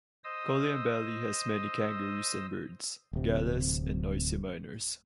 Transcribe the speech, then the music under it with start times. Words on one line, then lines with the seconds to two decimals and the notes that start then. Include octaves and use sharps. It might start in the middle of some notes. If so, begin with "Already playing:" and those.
Coleambally has many kangaroos and birds, Galahs and Noisy Minors.
0.24 C5 D#5 D#6 E6
3.13 D1 C3